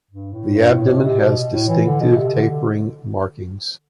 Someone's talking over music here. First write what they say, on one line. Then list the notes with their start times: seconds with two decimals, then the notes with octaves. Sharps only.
The abdomen has distinctive tapering markings.
0.11 G2
0.33 A2
0.54 G2
0.71 A2
0.87 B2
1.03 C3
1.20 B2
1.52 A2
1.68 E3
1.85 D3
2.01 B2
2.18 C3
2.33 D3
2.50 D3